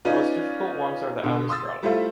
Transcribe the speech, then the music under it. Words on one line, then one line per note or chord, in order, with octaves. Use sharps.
The most difficult ones are the outer strata.
C#4 D#4 F4 B4 D5
B2 D3
C6 D#6 E6 A6
G3 A3 E4 F4 C5 E5